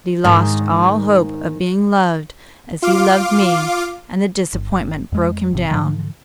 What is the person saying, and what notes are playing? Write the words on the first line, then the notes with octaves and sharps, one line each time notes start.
But he lost all hope of being loved as he loved me, and the disappointment broke him down.
G#2 D#3
F4 F5 D6
G1
F2 G#3
G1 C3
G#2 D3 E3 F3